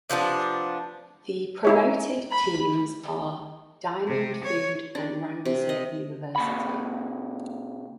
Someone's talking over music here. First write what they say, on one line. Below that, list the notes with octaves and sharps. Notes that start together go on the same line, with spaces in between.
The promoted teams are Diamond Food and Rangsit University.
C3 F3 B3 D4
D#4 E4 C#5
B5
C3
C#5
D4
C3
D#5
A#2 C#3 B5